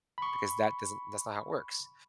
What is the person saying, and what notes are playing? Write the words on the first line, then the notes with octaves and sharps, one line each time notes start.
because that doesn't that's not how it works.
B5 C#6